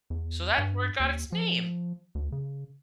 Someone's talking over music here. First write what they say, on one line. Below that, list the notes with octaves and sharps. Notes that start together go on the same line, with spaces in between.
so that's where it got its name.
E2
G2
D#2
F3
D2
C#3